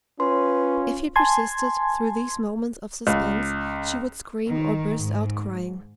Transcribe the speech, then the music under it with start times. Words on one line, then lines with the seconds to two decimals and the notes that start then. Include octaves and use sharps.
If he persisted, through these moments of suspense, she would scream or burst out crying.
0.20 C#4 F4 B4 C6
1.16 G#5 A5 C6 G#6
3.07 C#2
4.47 D#3
4.94 G#2